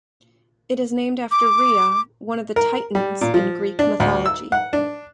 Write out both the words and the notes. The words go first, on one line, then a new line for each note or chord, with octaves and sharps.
It is named after Rhea, one of the Titans in Greek mythology.
D6
A#4
G3
A#2
F3
D4
D2
E6
F#5
D4